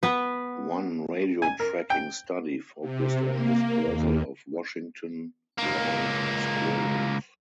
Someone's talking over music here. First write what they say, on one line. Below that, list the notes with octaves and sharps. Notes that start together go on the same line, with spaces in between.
One radiotracking study focused on dispersal of Washington ground squirrels.
B3 B4
G#5
A#4
G5
C3
A#3
D#2
C#2 A#3